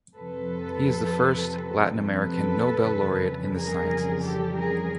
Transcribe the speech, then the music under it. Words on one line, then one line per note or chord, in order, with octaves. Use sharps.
He is the first Latin American Nobel laureate in the sciences.
F2 C3 F3 A4 B4
A4 B4
F2 C#3 E3 G3
G#4 A#4
G4 A4
G#4 A#4